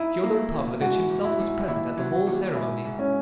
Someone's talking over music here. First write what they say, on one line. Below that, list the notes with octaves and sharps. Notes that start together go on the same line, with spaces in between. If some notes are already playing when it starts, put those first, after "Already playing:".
Fyodor Pavlovitch himself was present at the whole ceremony.
Already playing: D#4 E4
A#3
B2
G#2 F#4
G#2
E4
G#2
D#2 E4
F#3
F#4
D#2
G#2 E4
G#2
C#4